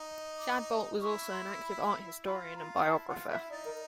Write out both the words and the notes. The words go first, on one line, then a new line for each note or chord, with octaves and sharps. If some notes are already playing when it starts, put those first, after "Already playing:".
Shadbolt was also an active art historian and biographer.
Already playing: D#4
D6
E4 C#6
C6
B5
F4 B5
F4 A#5
E4 A5
F4 F#5
E4 E5
D#4 D5
A#4